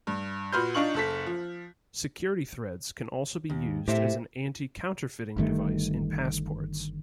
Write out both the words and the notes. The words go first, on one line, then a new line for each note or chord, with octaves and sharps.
Security threads can also be used as an anti-counterfeiting device in passports.
G2
A#2 F#4 B4 C6 F6 G6
D4 D#4 F4 C#6 F#7
F#1 A4 B6
F3
D#2
A2 G4 C5 E5
G1 G2 D#3 A3